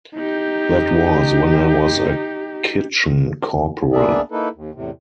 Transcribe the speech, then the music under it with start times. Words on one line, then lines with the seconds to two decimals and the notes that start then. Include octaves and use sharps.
That was when I was a kitchen corporal.
0.15 D#4 G4
3.93 A#3 B3 D4 G#4 D5 E5
4.31 A#3 D#4 E4 A4 B4
4.55 D#2
4.74 E2 A2 C3